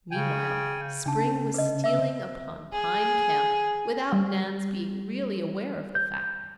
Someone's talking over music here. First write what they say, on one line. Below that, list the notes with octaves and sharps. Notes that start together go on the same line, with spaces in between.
Meanwhile spring was stealing upon Pine Camp without Nan's being really aware of the fact.
C#3 G5 G#5
C#3 D4 A5
B4 D#5
E5 E6
G#4
G3
G6